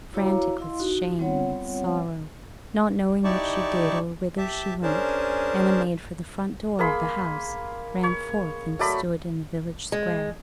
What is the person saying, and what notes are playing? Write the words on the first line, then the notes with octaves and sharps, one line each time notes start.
Frantic with shame, with sorrow, not knowing what she did, or whither she went, Anna made for the front door of the house, ran forth and stood in the village square.
E4 F#4 C#5 F5 A#5 D6
E4 D#5 F5 C6
D#4 F#4
G3 B3 C4 F4 C#5 F#5
D#4 E4 G4 D5 A5 C#6
G4 E5 A5
C#4 D4 G#4 A#4 C5 A5
A#3 G#4 B5 C6
C#5
F#3 A3 D5 B5
G#3